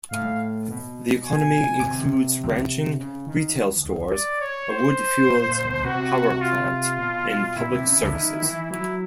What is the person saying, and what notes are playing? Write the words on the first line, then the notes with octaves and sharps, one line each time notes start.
The economy includes ranching, retail stores, a wood-fueled power plant, and public services.
A2 F5
B2
G#5
C3
C#3
D#3
D5
C#5
C5
A#2
A#2
B2
C3 F#4
F4
B2
A#2 E4
C3
C#3
D3
D#3
E3
F#3 E4